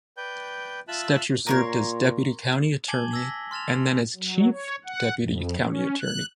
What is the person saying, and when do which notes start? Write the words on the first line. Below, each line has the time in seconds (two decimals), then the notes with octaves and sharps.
Stecher served as deputy county attorney and then as chief deputy county attorney.
0.17 B4 D5 G5 G6
0.88 F4 E5 A5 E6 F#6
1.47 A#2 A#4 C#5 C6
2.88 G#5 A5 D6 G#6 F#7 G7
3.13 E6 G#6 A#6 B6
3.51 C6 F6 A6 E7 F7
4.16 F#3
4.51 C#5
4.85 F#5
5.18 F2
5.62 C#4
6.00 F#6